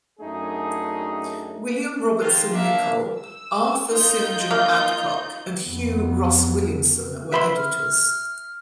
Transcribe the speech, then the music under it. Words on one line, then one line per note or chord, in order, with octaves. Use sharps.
William Robertson Nicoll, Arthur Saint John Adcock and Hugh Ross Williamson were editors.
F#2 A3 D4 D#4 G#4
D#3 F3 F4
A#3 D4 E5 F5
E6
D#4 F4 G6
A#3
F2 B3
B4 E5 B5 C6
F6